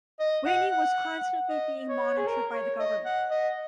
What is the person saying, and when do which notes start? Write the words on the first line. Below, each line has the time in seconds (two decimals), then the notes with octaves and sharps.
Winnie was constantly being monitored by the government.
0.20 D#5
0.46 F#5
0.71 F#5
1.49 D#5
1.89 C#5
2.17 G#4
2.27 A#4
2.53 C#5
2.79 D#5
3.05 F#5
3.31 D#5